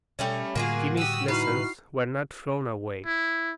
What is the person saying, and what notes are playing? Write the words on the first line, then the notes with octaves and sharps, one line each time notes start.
Jimmy's lessons were not thrown away.
B2 G3 A3 C#4
A2 D3 G3 A#3 F4 F#4 G#4
F#4 G4 D#6 E6
D#4 E4 F#4 B4 F6 C7
E4